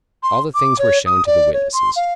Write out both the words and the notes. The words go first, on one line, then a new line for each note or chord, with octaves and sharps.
All the things were shown to the witnesses.
C6
D6
C#5
D#6
D5
C#5
C6
F5